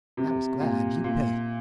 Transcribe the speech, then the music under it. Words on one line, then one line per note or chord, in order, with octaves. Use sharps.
I was glad, you bet.
C3
A#2
A#2